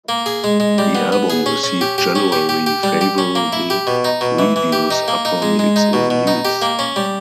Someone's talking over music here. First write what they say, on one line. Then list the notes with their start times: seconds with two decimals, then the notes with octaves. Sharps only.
The album received generally favorable reviews upon its release.
0.09 A#3
0.26 G#4
0.44 G#3
0.60 G#3
0.78 G3
0.95 B3
1.12 B3
1.30 G#4
1.46 C#4
1.64 C#4
1.81 G4
1.98 G4
2.15 C#4
2.32 G4
2.49 G4
2.66 G4
2.83 G3
3.01 G4
3.18 C#4
3.35 A#3
3.53 E4
3.70 G4
3.87 B2
4.05 D#4
4.21 B2
4.39 E3
4.56 E3
4.72 G4
4.91 D#4
5.08 A#3
5.25 D#4
5.42 G#3
5.59 G#3
5.76 D#4
5.93 B2
6.10 B2
6.27 D#4
6.45 G4
6.62 A#3
6.79 C#4
6.96 G3